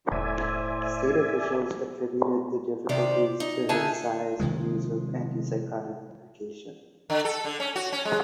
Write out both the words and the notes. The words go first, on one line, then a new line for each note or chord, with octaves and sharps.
State officials attributed the difficulties to his size and use of antipsychotic medication.
E1 A2 C5 D5 E5 G#5
C3 D#3 G4 C5 D5
D#4
D3 D#4 G#4 E5 G#5 A5
C3 D#3 F3 G#3
D3
A4
D3
C#4
F#4
C#4
G#3